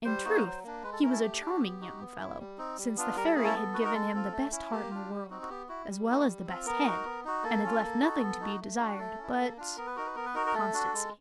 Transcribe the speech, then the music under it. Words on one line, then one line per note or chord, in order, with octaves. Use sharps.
In truth, he was a charming young fellow, since the Fairy had given him the best heart in the world as well as the best head, and had left nothing to be desired but--constancy.
G3 C5
A#3 D#4 F#4
F#3
A#3 D4
G#3 B4
A4
C#4 E4 A#4
A4
A3 G4
D4 F#4
B3
D#4 F#4
B3
E4
G3
C4 D#4
G3
B3 D4 F4
G3 A#4
A4
A#3 C#4 E4 G#4
A4
B3
D#4 F#4 B4
A#4
G#3 A4
C4 F4
A3
C#4 E4
A#3 G4
D4 F4
G3
C4 D#4 F#4
F#4
B3 G4
E4 F#4
G3
A#3 D#4 F#4
G3
C4 F4
B3 A#4
D#4 F#4
B3
D#4 F#4
A#3 A4
C#4 F4
A#3
D#4 F#4
B3
D#4 F#4
A3
D4 F#4
A3 A4
C#4 E4
A#3
D4 F4
B3 A#4
B4
D#4 F#4 A#4
B4
B3 A#4
B4
D#4 F#4 A#4
A#4
A3 A4
D4 F#4
G#3